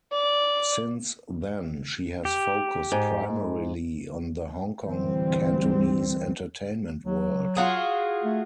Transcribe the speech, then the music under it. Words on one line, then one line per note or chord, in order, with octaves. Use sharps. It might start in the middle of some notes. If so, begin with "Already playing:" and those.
Since then, she has focused primarily on the Hong Kong Cantonese entertainment world.
D5
G4
G#2
D2 E3 G3 C4
F#3
F4 F#4 G#4
A3